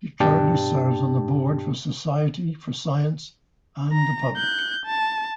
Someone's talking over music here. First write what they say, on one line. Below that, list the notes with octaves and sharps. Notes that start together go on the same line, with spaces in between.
He currently serves on the board for Society for Science and the Public.
G2 B2 D4 G4 G5 A5
A#5
F#6 G6
A5